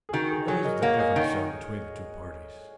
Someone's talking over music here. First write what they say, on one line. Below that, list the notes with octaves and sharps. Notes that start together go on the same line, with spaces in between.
"What is the difference, sir, between the two parties?"
G#4
D#3 F#4
G#4
F#3 G#4 C#5
A#4 D#5
A#3 C#5 F#5
D#5 G#5
D#3 C#5 F#5